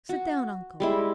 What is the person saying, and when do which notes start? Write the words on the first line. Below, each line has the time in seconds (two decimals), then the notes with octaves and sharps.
Sit down, uncle.
0.09 F#4
0.80 G3 G#3 E4